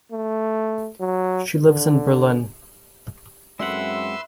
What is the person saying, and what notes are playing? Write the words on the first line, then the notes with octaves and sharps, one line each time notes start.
She lives in Berlin.
A3
F#3
D3
F#2 G#3 C4 B4 E5 F#5 C6 E6